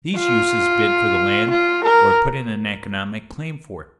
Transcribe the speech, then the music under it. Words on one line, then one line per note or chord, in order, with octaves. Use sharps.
These uses bid for the land, or put in an economic claim for it.
F4
F4
A#4